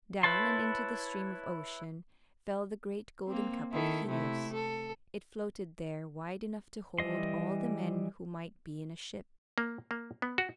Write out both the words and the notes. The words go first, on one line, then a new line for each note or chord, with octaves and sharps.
Down, and into the Stream of Ocean fell the great golden cup of Helios. It floated there wide enough to hold all the men who might be in a ship.
E4 B4 C#5 A5 C6
A#3 C4
D#3 E4 A4
C3 A3 E4
A4
E3 G3 D#5 C6
A#3
A#3
B3
F#4